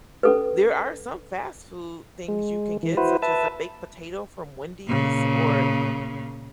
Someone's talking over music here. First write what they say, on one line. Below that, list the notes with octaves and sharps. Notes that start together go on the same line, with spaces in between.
there are some fast food things you can get such as a baked potato from Wendy's or
C#4 A4 B4
G#3
E3
E4 F#4 B4 C5
B4 E5 A5
A#2 C#3